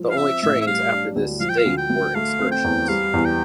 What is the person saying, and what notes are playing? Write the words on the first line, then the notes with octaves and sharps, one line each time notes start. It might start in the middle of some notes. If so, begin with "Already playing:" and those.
The only trains after this date were excursions.
Already playing: F3
F5
C4 E5
A1 E5
E5
G3 F5
D4
D2
F3 F5
G5
F5
D2
G5
D2
A3 F5
C4
G5
E2
G3 F5
E2
G5